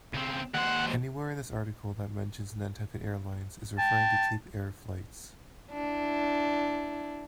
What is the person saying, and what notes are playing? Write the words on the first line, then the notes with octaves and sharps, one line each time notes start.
Anywhere in this article that mentions Nantucket Airlines is referring to Cape Air flights.
C#3 C4
D#2 C5 F#5
G5 A5
D4 E4